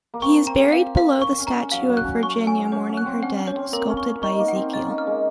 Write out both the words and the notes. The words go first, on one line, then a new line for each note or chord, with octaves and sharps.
He is buried below the statue of Virginia Mourning Her Dead sculpted by Ezekiel.
A#3
C4 C#6
C4 A#5
F5
F5
C#6
C#4
A#5
C#4
F#3 F5
F#3
F#6
C#4
C#4 C#6
C#4 G#5
C#4 C#5
C#4
F#6
C4
C#4 F#5
C#4
C#5
C4
A#3 A#4
C#4
C#6
C#4
D#4 C#6
A#3
F#5
C4
C#4 D#5
A#3
F6
G#3